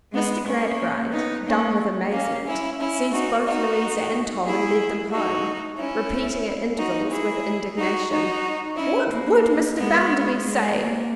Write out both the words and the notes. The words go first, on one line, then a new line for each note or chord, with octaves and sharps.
Mr. Gradgrind, dumb with amazement, seized both Louisa and Tom and led them home, repeating at intervals, with indignation: "What would Mr. Bounderby say!"
G#3 B3
A#3 C#4
B3 D#4
A#3 C#4
A#3 C#4
C#4 E4
C#4 E4
D#4 F#4
D#4 F#4
E4 G#4
D#4 F#4
C#4 E4
D#4 F#4
E4 G#4
D#4 F#4
D#4 F#4
C#4 E4
A#3
G#3 B3
G#3
A#3